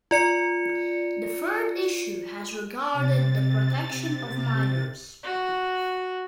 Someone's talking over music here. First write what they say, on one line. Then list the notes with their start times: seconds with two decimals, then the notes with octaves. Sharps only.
The third issue has regarded the protection of minors.
0.11 F4 D5 C#7
2.93 C3 A6
5.23 F#4